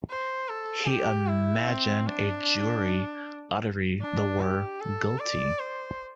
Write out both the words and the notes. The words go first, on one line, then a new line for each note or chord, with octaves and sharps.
He imagined a jury uttering the word "Guilty."
C5
A4
G4
E4
C4
D4
D4
G4
A4
D5
C5